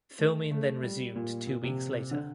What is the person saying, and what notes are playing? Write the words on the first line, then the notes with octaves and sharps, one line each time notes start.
Filming then resumed two weeks later.
A3
A3
G3
A#2
A#2
C3
D3